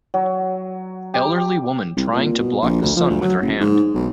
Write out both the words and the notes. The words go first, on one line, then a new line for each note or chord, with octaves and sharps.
Elderly woman trying to block the sun with her hand.
F#3
G4
C2
A#2
B2
A#1
D2
F3
D2
F#3
F#1
G#2
B1